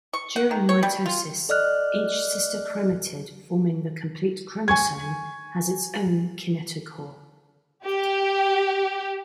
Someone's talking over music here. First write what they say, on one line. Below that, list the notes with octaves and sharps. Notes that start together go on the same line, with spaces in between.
During mitosis, each sister chromatid forming the complete chromosome has its own kinetochore.
C#6
F#5
D#3
C#5
G3
F4
A4 D5 D#5 F6 F#6
G#5 C#6 G#6
G4